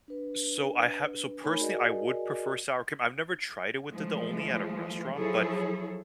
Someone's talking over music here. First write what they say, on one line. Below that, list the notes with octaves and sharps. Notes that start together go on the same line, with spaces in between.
So I have so personally, I would prefer sour cream. I've never tried it with it the only at a restaurant, but
D4 B4
A3 D#4 A#4 C#5 G#5 B5
F#4 G#4 A#4 D5 D#5 G#5
E3 F3 G#3 A3
F3 F#3 E4 G#4 A4 C#5